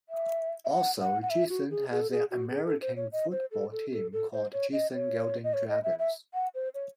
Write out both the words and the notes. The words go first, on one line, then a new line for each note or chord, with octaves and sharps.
Also, Giessen has an American football team called Giessen Golden Dragons.
E5
E5
F#5
F#5
F#5
E5
F#4
G#4
G#4
A4
G#4
F#4
G#4
A4
C5
C#5
D#5
C5
A4
A4
A4
A4
C5
C#5
D#5
C#5
D#5
C#5
D#5
E5
E5
F#5
C5
C#5